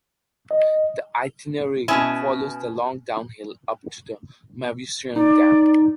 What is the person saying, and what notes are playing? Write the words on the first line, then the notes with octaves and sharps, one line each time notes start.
The itinerary follows the long downhill up to the Mauvoisin.dam.
D#5
B2 C#4 E4 G#4 A5
D#4 D5